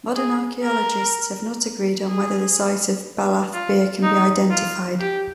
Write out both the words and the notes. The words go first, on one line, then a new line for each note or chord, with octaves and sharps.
Modern archaeologists have not agreed on whether the site of Baalath-Beer can be identified.
G#4
A#4
G#4
F4
D#4
F4
G4